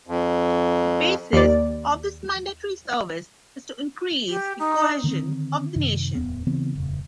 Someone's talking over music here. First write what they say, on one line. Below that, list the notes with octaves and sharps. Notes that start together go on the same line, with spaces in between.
The basis of this mandatory service is to "increase the cohesion of the nation".
F2
D#2 D5
G4
D#4
D3 D#3 A3 C4
F#2 C3 D#3
D1 E2 B3
C#3 E3 B3 C4
D#1 F2 C#3